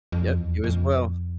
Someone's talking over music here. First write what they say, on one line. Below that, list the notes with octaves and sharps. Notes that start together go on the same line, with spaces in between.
Yep, you as well.
F2
E2
F2